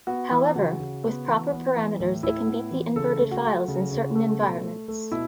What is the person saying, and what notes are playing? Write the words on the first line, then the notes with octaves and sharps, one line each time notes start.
However, with proper parameters it can beat the inverted files in certain environments.
B3 F#4
E3 E4
C#3 F#4
C#3
B3
E3
B3
E3
A2
A2 E4
B3
E3
C#3 A4
A3
F#4
A3
C#3
C#3
A3
B2
A3
A3
B2 E4